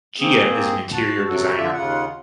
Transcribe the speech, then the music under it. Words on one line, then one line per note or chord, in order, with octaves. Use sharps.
Jia is an interior designer.
A#3 C4 G#4
F#4 A5
C3 F#3 F#4 A4
D3 F4 D5 E5
D#2 C#3 F4 F#5